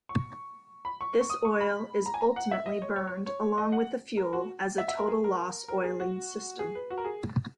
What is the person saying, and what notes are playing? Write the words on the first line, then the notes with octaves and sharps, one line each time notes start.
This oil is ultimately burned along with the fuel as a total-loss oiling system.
C#6
B5
C#6
C#6
D#6
C#6
B5
A#5
G#5
A#5
F#5
E5
D#5
C#5
C#5
C#5
C#5
D#5
F#5
A#4
F#4
E5
E5
A#4
G#4
A#4
A#4
G#4
F#4
G#4
B4
F#4
A#4
G#4